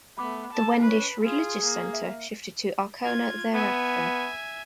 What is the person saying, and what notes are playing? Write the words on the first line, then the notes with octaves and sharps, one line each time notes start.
The Wendish religious centre shifted to Arkona thereafter.
A3 B3 B5 D6
A4 A5
C#4 B4
F4 G#4
A#3
E5
F4 G#6
B3 E5 G#5